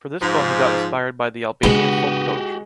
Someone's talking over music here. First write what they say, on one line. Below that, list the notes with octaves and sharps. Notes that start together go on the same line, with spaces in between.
For this poem he got inspired by the Albanian folk poetry.
G#2 F3
C#3 G#3 B3 D4 F#4 G4